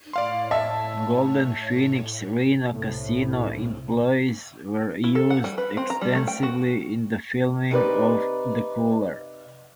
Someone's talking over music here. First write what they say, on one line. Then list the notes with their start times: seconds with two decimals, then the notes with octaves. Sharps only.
Golden Phoenix Reno casino employees were used extensively in the filming of "The Cooler".
0.13 A2 C#5 D5 F5 C6
0.51 E5 A5 E6
2.71 C2 A2
5.04 E4
5.15 A4
5.30 F#5
5.44 G3
5.58 B4
5.77 C4
5.90 A#5
6.01 G3
6.15 A3
6.27 G5
6.43 F#4
7.71 C3 D#4 B4 D5